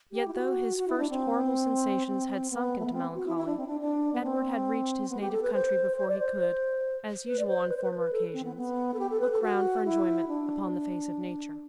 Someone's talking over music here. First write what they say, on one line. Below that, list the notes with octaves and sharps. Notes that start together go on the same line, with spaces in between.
Yet, though his first horrible sensations had sunk into melancholy, Edward had reached his native country before he could, as usual on former occasions, look round for enjoyment upon the face of nature.
G4
E4
F#4
F#4
E4
D4
C4
C4
B3
A3
B3
C4
F#4
E4
E4
D4
C4
D4
D4
B3
C4
B3
G4
A4
B4
C5
C5
D5
C5
B4
D5
C5
B4
C5
B4
C5
B4
A4
C4
B3
B3
A4
G4
A4
B4
A4
F#4
E4
D4